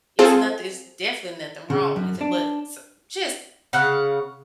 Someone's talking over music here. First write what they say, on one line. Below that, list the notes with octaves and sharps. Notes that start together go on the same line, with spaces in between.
it's nothin it's definitely nothing wrong with it, but s just
C4 F4 G#4 A4
C#3
F#2
D4
C#3 F5 F#5